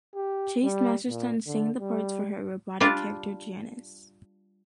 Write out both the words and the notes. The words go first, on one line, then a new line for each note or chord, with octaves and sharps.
Chase Masterson sang the parts for her robotic character Janice.
G4
G3
A#2
D3
G3
G3 D4 F4